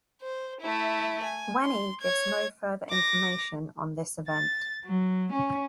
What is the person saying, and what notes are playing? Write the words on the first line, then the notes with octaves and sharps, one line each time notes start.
Weni gives no further information on this event.
C5
A3 E4
G#5
C6
C#5 G#6
D6 A#6
A6
F#3
C#4